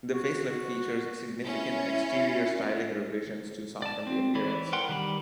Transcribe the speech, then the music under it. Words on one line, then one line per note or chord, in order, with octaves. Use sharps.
The facelift features significant exterior styling revisions, to soften the appearance.
F#4
C#4 E4
D5 A5
C4
E3 C#5 D5 B5
A#4 B4 F#5 G5 C6
D#3 G3 B5